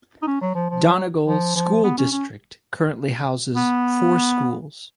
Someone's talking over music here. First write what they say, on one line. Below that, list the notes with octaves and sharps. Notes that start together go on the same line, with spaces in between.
Donegal School District currently houses four schools.
D#4
C#4
F#3
F3
F3
F#3
F3
F3
B3
C#4
C#4
B3